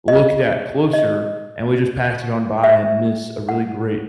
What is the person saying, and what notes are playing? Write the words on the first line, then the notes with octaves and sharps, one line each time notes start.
looked at closer, and we just pass it on by and miss a really great
D#5
D#5
E5
F#5